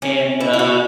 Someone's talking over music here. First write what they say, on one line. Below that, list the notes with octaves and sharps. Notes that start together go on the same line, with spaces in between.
and, uh,
C#4
E4
E4
F#4